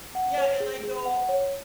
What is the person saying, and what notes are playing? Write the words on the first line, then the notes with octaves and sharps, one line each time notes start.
Yeah, and I go
F#5
C#5
G#4
G#4
F#5
C#5